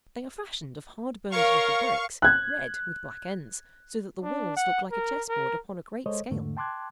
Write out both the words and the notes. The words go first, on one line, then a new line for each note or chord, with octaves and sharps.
They are fashioned of hard-burned little bricks, red, with black ends, so that the walls look like a chess-board upon a great scale.
A#4 C#5 F5 C#6
F#6 G#6
D4
F#5
A#4
A#4
G#3 A4 C5 C#5 D#5
E2 G#2 D3 A3
G5 A5 C6 D6 F#6 G#6